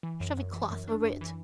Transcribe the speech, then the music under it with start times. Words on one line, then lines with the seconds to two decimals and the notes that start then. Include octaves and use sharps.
Shove a cloth over it!
0.03 E3
0.20 F#2
0.37 F#2
0.53 E3
0.70 F#2
0.88 D4
1.04 F#2
1.21 E3